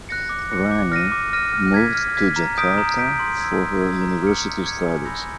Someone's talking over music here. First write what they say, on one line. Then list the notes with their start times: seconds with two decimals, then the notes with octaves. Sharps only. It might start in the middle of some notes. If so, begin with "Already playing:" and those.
Rani moved to Jakarta for her University studies.
0.09 F#6 A#6 C#7
0.29 D6
0.49 F#6 A#6 C#7
0.71 D6
0.92 F6 A#6 D#7
1.12 D6
1.33 F6 A#6 D#7
1.54 F6
1.74 G#6 B6
1.95 F6
2.16 G#6 B6
2.36 A#5
2.58 D#6 G6 B6 D7
2.78 A#5
2.99 D#6 G6 B6 D7
3.19 C6
3.41 E6 G#6
3.61 C6
3.82 E6 G#6
4.02 A#5
4.22 D6 F6 G#6 C#7
4.43 A#5
4.64 D6 F6 G#6 C#7
4.85 G#5
5.05 B5 E6 G6 A#6